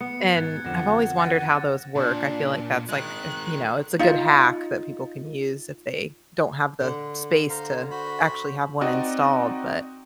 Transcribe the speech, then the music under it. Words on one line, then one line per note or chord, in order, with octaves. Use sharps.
And I've always wondered how those work. I feel like that's like eh you know, it's a good hack that people can use if they don't have the space to uh actually have one installed but
B3 C#7
G#2 F#6 G#6 A6
F2 D3 F3 F#5 A#6 C#7 E7
A6 A#6 D#7
A#2 D4
D#3 G#3 F#6
D#4 F4
D3
C5 F5 A#5
F#4 C5 B5
C4 D#4 F#4 D5 D#5